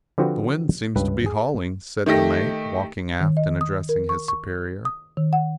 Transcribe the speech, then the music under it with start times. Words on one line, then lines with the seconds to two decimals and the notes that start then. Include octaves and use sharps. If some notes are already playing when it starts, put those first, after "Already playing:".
"THE Wind seems to be hauling," said the mate, walking aft, and addressing his superior.
0.18 D3 F3 C4 F#4 G4 B4
0.96 C#2 G2 B4
1.26 G#4
2.06 D#3 A3 G4 A#6
3.21 D#3
3.37 D#5
3.61 D#6
3.89 A#4
4.09 C#6
4.28 C#6
4.85 D#6
5.17 D#3
5.33 F#5